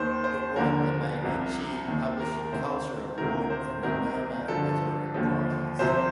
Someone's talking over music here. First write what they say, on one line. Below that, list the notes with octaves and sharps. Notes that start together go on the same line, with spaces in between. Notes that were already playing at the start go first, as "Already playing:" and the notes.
It won the Mainichi Publishing Culture Award and the Noma Literary Prize.
Already playing: D#2 D#3 C5
C5
D#2 D3 F3 A#4
C2 C3 F3
D#2 D#3
A#4
D2 C3 D#3 C5
D2 C3 D#3 A#4
C5
C2 C3 D#3 A#4
G2 D3 F3 A4
D#2 D3 F3
C2 C3 F3 C5